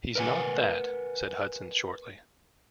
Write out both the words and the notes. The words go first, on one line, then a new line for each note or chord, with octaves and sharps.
"He's not that," said Hudson shortly.
A#4 B4 D#5 F#5 G#5